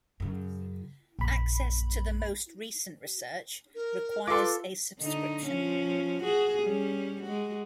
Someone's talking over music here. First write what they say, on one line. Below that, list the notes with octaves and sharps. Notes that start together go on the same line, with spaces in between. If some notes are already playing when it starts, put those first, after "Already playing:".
Access to the most recent research requires a subscription.
F#2 C#3
A#1 F#2 A#3 B5
A#4
F4 A4 B4 C6 D6
D3 D#4
F3 C#4
F#4 G#4
G3 C#4
G#3 F#4